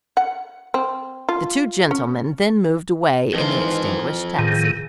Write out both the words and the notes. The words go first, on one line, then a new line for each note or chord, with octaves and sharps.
The two gentlemen then moved away in the extinguished taxi.
F#5
C4
F4
C#4
F2 G#2 D#3 E3 C5
A2 D#3 B3 F4 G#4